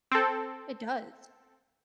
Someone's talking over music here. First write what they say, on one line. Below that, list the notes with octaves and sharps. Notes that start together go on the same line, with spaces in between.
It does.
C4 A4